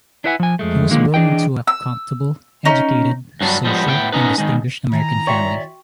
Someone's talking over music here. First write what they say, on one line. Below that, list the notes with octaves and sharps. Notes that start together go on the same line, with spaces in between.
He was born into a comfortable, educated, social, and distinguished American family.
D4 E4 B4 E5 F#5 G#5
F3 G#5
F2 G#3 A3
D3 D#3 F3 G#3 A#3
E3 D4 G#4 D#5 G5
E6
C#4 D#4
G2 F#3 B3 D4
F3 G3 G#3 B3
A2 B3 E5 G5
B3 C#4 D#4 B4
D#3 G#3
D#3 E4 G#5 A#5
F#4 C#5 D5 E5 G5 C#6